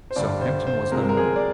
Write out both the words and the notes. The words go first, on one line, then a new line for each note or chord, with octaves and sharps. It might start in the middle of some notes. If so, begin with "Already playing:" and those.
Southampton was no more.
C5
G2 D3 G3 D5
C5
C5
C3 F3 G#3 A#4
C5
A#4
G#4
D5